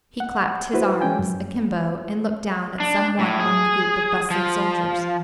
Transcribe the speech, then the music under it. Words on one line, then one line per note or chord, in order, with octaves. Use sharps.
He clapped his arms akimbo and looked down at some one among the group of bustling soldiers.
F#5
E4 F#4 B4 C5
G#3 C#4 G5 G#5
F#2
D4
A2
G#4
F3